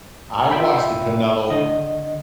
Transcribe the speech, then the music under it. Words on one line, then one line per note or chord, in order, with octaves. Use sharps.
I watched the Canelo
F4 E5 G5 B5
D3 D#5